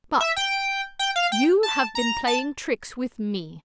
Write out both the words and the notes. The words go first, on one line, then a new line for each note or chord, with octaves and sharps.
But--you have been playing tricks with me.
E5
G5
G5
F5
G5
A5
A#5
A5